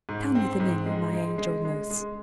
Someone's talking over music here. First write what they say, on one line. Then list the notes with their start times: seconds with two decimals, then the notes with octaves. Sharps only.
"Tell me the name of my angel nurse."
0.09 G#2
0.35 C4
0.60 G#2
0.86 G#3
1.13 G#3
1.38 G#3
1.65 G#3
1.91 G#3